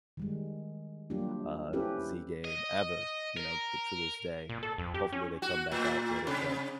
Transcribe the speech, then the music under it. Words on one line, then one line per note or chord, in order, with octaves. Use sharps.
uh, Z game ever, you know, c to this day. Hopefully, they come back out with it, but
D#3 G3 G#3
F#3 G3 A#3 D4 F4 G4
C4 C#4 E4 G4 A4 B4
D#5
A#4
A#2
A4
F2
G4
C#4
F#4
A2
C3